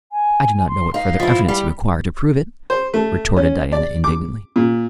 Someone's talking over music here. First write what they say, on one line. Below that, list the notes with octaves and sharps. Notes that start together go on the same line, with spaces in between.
"I do not know what further evidence you require to prove it," retorted Diana indignantly.
G#5
C6
D#4 F5
F3 E4
G3
C5
A3
C#4
D5
D6
A#2